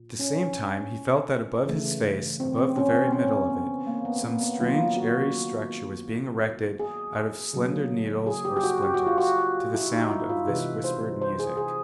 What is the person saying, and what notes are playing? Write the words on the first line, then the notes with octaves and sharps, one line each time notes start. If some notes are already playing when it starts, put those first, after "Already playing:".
At the same time he felt that above his face, above the very middle of it, some strange airy structure was being erected out of slender needles or splinters, to the sound of this whispered music.
Already playing: A#2
C#4
C#3 E3 A3
C4
C4
C#4
C4
C#4
B3
A#3
B3
A#3
B3
D#3 F#3 A#3 F4
F#4
G#4
C#3 F#3 A#3
G#4
G4
G4
F#4
G4
F#4
F4
F#4
E4
D#4
E4
F4
C3 E3 G#3 B4
C5
C5
G#4
G#4